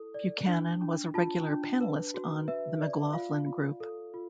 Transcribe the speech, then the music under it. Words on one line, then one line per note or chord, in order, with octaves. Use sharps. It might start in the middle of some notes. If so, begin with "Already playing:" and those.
Buchanan was a regular panelist on "The McLaughlin Group".
Already playing: E4 A4
D5
D4
D4
F4 A5
D4
B4
F#4
B4 E5
D5
F4 F5
F4
A4
F4